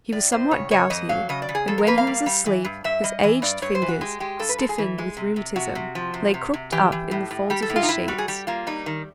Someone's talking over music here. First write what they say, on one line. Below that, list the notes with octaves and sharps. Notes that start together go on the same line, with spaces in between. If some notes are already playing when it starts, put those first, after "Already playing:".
He was somewhat gouty, and when he was asleep, his aged fingers, stiffened with rheumatism, lay crooked up in the folds of his sheets.
A2 D5
A2 C5
C#3 C#5
C#3 C#5
F2 D#5
F#3 F5
C#3 D#5
D5
C#3
G#4
F2 A4
A#4
A#3 B4
F5
G3
G3
E3
G2
G2 E5
G3 D#5
E3 D#5
G2 D5
G2 C#5
C5
E3
F#4
G#3 G4
G#3 G4
G2 A4
B4
G#3 A4
G#4
E3
G#3
C3
C3
C3 F#4
C3
F3
C3
C3
C3
E3 G4
E3
A2
A2
G3 G4
A4
A2
F4
D#4
A2 E4
G3 F#4
G#4
G3 G4
A#3 F4
G3 D#4
D#3